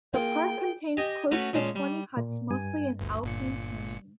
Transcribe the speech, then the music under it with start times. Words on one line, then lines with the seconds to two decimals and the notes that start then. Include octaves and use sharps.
The park contains close to twenty huts, mostly in alpine terrain.
0.14 A#3 F4 G#4 A#4 G5
0.97 G4 D#5 G#5
1.31 A3 C#4 F#4 B4
1.53 A#2 G#3 C#4 A5
1.75 G3
2.17 A#2
2.51 G2 G#5
2.99 G1 D2
3.24 G1 A#2 C#7